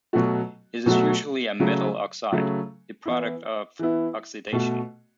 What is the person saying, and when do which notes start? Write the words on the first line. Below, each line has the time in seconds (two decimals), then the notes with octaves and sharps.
It is usually a metal oxide, the product of oxidation.
0.13 B2 F#3 A3 F#4
0.86 B2 F#3 A3 F#4
1.60 C#3 F#3 A3
2.32 C#3 F#3 A3
3.05 E3 B3 E4
3.79 E3 B3 E4
4.53 B2 A3 F#4